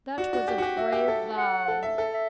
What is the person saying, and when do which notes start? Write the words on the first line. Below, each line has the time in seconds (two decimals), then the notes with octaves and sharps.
"That was a brave vow."
0.18 F#4 D5
0.33 F#4
0.48 G4
0.58 F#4
0.62 G4
0.77 F#4 E5
0.92 G4
1.08 A4
1.37 F#5
1.68 A4
1.83 E5
1.98 A4 E5
2.13 E5